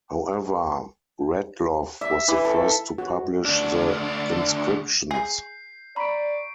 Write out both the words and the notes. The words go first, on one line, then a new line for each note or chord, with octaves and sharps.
However, Radloff was the first to publish the inscriptions.
E5
E3
A4
F#4
D2 D4
G#4 G6 C7
D5 A#5 B5 C#6 B6 D7